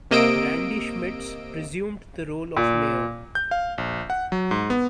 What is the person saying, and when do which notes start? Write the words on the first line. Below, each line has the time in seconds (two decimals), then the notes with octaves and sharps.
Randy Schmitz resumed the role of Mayor.
0.11 C3 A#3 D#5 E6 D7
2.57 A#2
3.35 G6
3.51 F5
3.78 A#1
4.10 F#5
4.32 F#3
4.51 G#2
4.70 B3